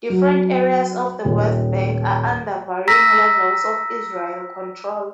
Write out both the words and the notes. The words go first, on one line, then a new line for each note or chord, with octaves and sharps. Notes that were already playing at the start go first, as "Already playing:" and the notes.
Different areas of the West Bank are under varying levels of Israeli control.
F#3
D#1
A#5 E6 A#6 B6